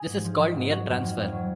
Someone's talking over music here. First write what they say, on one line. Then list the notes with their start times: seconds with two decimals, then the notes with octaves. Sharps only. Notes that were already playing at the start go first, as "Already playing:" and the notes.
This is called near transfer.
Already playing: G#4
0.08 G#2
0.24 F3
0.39 F3
0.54 G#2
0.70 F#3 F#4
0.86 F2
1.02 F2
1.17 F2
1.32 F#3